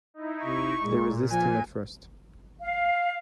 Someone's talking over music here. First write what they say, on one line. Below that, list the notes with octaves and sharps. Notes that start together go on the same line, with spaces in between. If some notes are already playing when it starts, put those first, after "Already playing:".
They resist him at first.
D#4 E4
C3 C#6
A#2 G#3
F3 G#5
F5